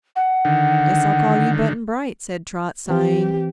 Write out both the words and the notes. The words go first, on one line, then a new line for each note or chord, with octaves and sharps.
"Guess I'll call you Button-Bright," said Trot, sighing.
F#5
D3 D#3
E3 C4 G4